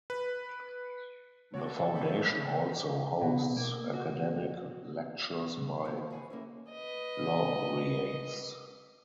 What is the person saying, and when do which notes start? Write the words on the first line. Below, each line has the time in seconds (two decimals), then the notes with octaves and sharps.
The foundation also hosts academic lectures by laureates.
0.10 B4
1.54 F#4 A4 C#5 D5
1.93 C#4 B5 C#6 G6
3.21 B2
3.57 A#3
3.94 F#4
5.85 F3 B3 C4 F4 C5 C#5
5.98 F3
6.10 F#4 G#4 B4
6.30 A#3 C#4 E4
6.71 B4 D#5